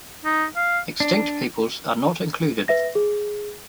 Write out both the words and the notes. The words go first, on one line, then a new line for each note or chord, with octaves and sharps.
Extinct peoples are not included.
D#4
F5
D4
B4 E5 A#6
G#4